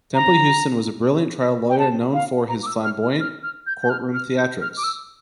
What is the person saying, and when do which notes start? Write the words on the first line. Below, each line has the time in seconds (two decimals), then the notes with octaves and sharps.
Temple Houston was a brilliant trial lawyer known for his flamboyant courtroom theatrics.
0.15 A#5
1.69 G5
1.79 A5
2.14 F5
2.49 A#5
2.63 D6
2.66 E6
2.84 F6
3.02 F6
3.20 F6
3.43 F6
3.67 G6
3.82 G6
3.90 F6
4.14 F6
4.38 G6
4.61 F6
4.77 D6
4.84 E6